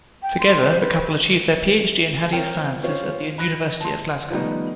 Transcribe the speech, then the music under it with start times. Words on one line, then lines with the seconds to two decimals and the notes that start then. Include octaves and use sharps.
Together, the couple achievhed their PhD in Hadeeth Sciences at the University of Glasgow.
0.23 G5
0.40 C6
0.64 C5
0.81 B4
2.32 C4 A#4 C#5 G5
2.83 C#4 F4 C5 C#5
3.38 B5 F#6 A#6
3.81 A5 C6
4.30 D#3 F3 G3 A3 B3 D#4